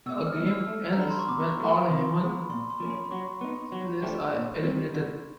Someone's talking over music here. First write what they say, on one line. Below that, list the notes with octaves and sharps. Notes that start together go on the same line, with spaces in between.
A game ends when all human players are eliminated.
B2 E6
F6
G3 A#3 D#4
E6
A3
A#5
D4 F#4 A4 C5 B5
C6
C#6
B2 D6
C#6
F#3 A3
B5
C3 C6
C6
E3 G#3 B3
B5
A#2 C6
C6
F3 A#3 C#4
B5
F#3 C#6
B3 D#4
F#3 C#6
A3 D4 G4 C#6
A#2
G3 C4
D3